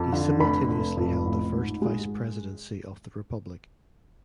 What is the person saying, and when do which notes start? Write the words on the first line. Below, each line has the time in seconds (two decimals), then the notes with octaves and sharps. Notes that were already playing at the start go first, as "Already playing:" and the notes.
He simultaneously held the first vice presidency of the Republic.
Already playing: F2
0.13 D3
0.40 F1 B5
0.69 F1
0.97 F2
1.26 A1
1.54 G#2
1.82 G#3